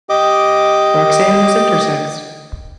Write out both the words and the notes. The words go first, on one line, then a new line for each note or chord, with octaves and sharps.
Roxanne is intersex.
G4 D#5 D6